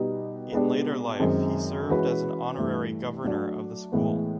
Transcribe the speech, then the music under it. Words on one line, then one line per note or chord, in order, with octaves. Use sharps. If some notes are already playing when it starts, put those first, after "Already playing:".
In later life, he served as an Honorary Governor of the school.
Already playing: B2 G3 B3 D#4 G4
B2 G#3 B3 D4 G4
F#2 D#3 G#3 C4
E3 G#3 C#4 F#4 B4
G2 E3 A3
F#3 A3 D4 F#4
A2 E3 G#3 B3